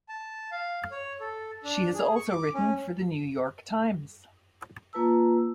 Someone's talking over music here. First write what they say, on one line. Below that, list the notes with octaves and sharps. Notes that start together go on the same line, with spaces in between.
She has also written for "The New York Times".
A5
F5
C#5
A4
D4
G#4
C#6
D6
C#4
A#3 F4 B4 A5 E6